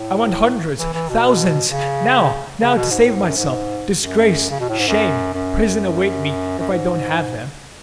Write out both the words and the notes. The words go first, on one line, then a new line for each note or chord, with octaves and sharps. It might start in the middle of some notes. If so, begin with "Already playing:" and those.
I want hundreds--thousands--now, now, to save myself! Disgrace, shame, prison await me if I don't have them.
Already playing: A2
E3
E3
B2
C#3
C#3
B2
G#2
A2
G#2
F#2
G#2
F#2
C#3
B2
A2
G#2
F#2
F#2
F#2
G#2